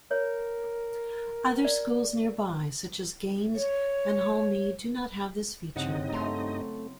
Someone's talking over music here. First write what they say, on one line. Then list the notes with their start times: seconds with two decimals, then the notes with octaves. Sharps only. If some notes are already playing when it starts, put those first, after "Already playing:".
Other schools nearby, such as Gaynes and Hall Mead do not have this feature.
0.11 A#4 C#5
1.65 D5
3.56 C#5
5.76 F#1 G2 C4 D#4 G#4 D#5 F#5
6.13 A3 A#5 C6